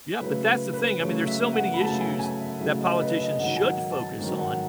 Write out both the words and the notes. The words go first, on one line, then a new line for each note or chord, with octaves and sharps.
Yeah, but that's the thing, I mean, there's so many issues that politicians should focus on,
C#3 F#3 A3 E4 B4
B4
B4
C#3 F#3 A3 E4 C#5
E5
F#5
B5
C#3 F#3 A3 E4 A5
G#5
G#5
E5
C#3 F#3 A3 E4 E5
D#5
B4
D#5
G#2 D#3 F#3 F#5
G#5
F#5
A5
G#2 D#3 F#3
F#5